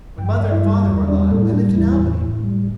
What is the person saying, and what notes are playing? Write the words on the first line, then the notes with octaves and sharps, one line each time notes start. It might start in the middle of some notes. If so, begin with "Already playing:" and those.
When mother and father were alive I lived in Albany.
G2 G5
E5
G2 D5
E4 E5
G3
E2
G3 D4 D5
A2 A3 A4
E4
G3 D4
E2 E3 E4
A2
A2
G3